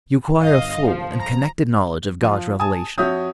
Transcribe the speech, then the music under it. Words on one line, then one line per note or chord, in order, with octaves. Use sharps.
You acquire a full and connected knowledge of God's revelation.
G1 D#5 F5
F3
A#5
F3 F4
G#5 A5 D#6
F2 F#4 C#5 E5 D#6 G6